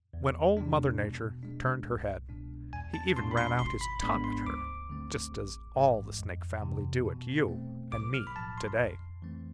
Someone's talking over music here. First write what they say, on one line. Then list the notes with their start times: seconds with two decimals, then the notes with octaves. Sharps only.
When Old Mother Nature turned her head, he even ran out his tongue at her, just as all the Snake family do at you and me to-day.
0.13 E2
0.57 C3 G#3 D4
0.99 B2
1.43 G#3 D4
1.86 C2
2.29 B2 G#3 D4
2.73 E2 G#5
2.94 A5
3.16 B2 G#3 D4 F4 C6
3.31 B5
3.37 C6
3.59 G#1 C6
3.81 B5
4.02 G#2 G#3 B3 D4 B5
4.24 C6
4.45 D2 D6
4.90 D3 A3 C4
5.32 A1
5.76 G#2 E3 G#3
6.18 F2
6.62 C3 E3
7.05 B2
7.48 A3 C4
7.92 B1 D6
8.14 F6
8.27 B5
8.35 A2 F3 A5
8.58 C6
8.79 F2
9.22 E3 A3 C4